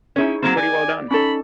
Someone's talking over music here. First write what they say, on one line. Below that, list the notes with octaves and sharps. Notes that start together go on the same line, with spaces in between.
Pretty well done!
C#4 D#4 E4 G#4 C#5
F#3 A#3 C4
D5 G#5
C#4 D#4 A4 B5